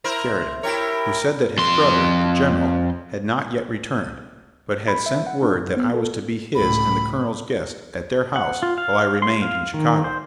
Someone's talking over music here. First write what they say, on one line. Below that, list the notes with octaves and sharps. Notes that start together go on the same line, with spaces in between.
Sheridan, who said that his brother, the General, had not yet returned, but had sent word that I was to be his and the Colonel's guest, at their house, while I remained in Chicago.
E4 A#4 C5
E4 G4 A#4 C#5
F2 C6
B5
E5
F#5
D4
F#2
B3
A4
C#2 A2 B5
F#5
F4
F5
C6
F5
D#3
C5